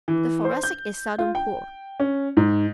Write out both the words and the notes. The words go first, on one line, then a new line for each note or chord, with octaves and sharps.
The Thoracic is seldom poor.
E3
C5
G6
F4
G5
C#4
G#2